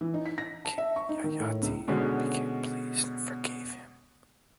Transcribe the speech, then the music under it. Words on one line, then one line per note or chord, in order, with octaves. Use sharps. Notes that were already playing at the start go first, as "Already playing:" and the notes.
King Yayati became pleased and forgave him.
E3
D#4
B6
A#6
A5
E5
C#6
D#4
D#3
A2
C#2
B2 D3 G#3 C#4